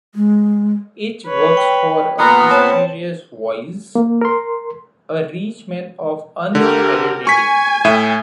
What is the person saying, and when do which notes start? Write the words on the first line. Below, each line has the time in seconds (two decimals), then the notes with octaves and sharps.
Each works for a mysterious "Voice", a rich man of unknown identity.
0.15 G#3
1.27 B4 C#5
1.57 G5
2.19 A#2 B3 A#5 D#6
2.51 C4 C#5 A5
3.95 A#3
4.21 A#4 C6
6.55 D3 G4 A#4
7.27 G#5 C#6 B6
7.85 A2 E5 D#7